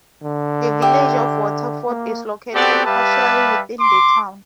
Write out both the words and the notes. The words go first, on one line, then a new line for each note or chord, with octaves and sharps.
The Village of Waterford is located partially within the town.
D3
G4 E5
A#3
B3 C4 F#4 G4 A4 D5
G3 G4 B4 E5 F5 A5
C6 D6